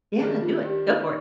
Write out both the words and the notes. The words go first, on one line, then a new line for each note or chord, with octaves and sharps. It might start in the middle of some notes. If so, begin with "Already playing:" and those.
Yeah, do it. Go for it.
D#3 G3 D4 G#4
F4
G4
D#4